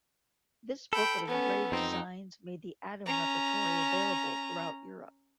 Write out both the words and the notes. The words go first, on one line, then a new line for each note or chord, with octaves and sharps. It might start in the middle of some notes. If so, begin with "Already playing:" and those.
This book of engraved designs made the "Adam" repertory available throughout Europe.
A4 G5 B5
B3 C#4
F2 C4 D#4
C#4 A#5